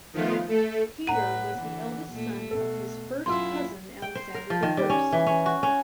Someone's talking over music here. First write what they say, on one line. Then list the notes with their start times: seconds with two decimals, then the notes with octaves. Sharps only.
Peter was the eldest son of his first cousin Alexander the First.
0.13 D#3 F3 A3 B3 F4
0.48 A3 A4
1.07 A2 B4 F#5 A#5 D#7
1.58 D3 E3
2.12 A#2 A3
2.51 B2 A3 A4
3.26 F#2 G#3 E4 F4 C6 E6
4.02 G5
4.15 C5
4.34 A#4
4.50 F3
4.63 D#3
4.77 G3
4.90 C#4
5.13 E3
5.26 C#4
5.46 F#4
5.63 C#4